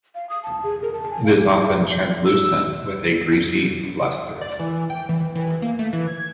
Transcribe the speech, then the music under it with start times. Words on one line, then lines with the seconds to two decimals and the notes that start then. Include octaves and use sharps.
It is often translucent with a greasy luster.
0.15 F5
0.30 D#6
0.43 A5
0.63 G#4
0.82 A#4
0.94 A5
1.11 G#5
1.24 F5
1.36 G4
2.25 E6
4.41 D5
4.59 E3
4.90 G5
5.09 E3
5.35 E3
5.62 A#3
5.79 A3
5.93 E3
6.07 G#6